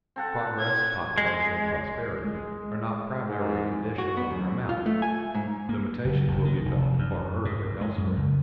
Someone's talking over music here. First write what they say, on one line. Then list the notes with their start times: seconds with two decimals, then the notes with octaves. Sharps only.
Progress, population, prosperity, are not primarily conditioned on their amount; limitation will be felt far earlier elsewhere.
0.16 C4 A4 F#5
0.59 G#6
1.18 G#3
2.25 G#3
3.28 G#2
3.98 F#4
4.17 B3
4.31 F#2
4.69 F4
4.86 A3
5.02 G#5
5.35 G#2
5.69 A#3
6.05 F#1
6.28 F#1
6.45 D#3
6.65 F1
6.99 F#2
7.45 G#2
7.81 G#3
7.98 F#2
8.17 C#2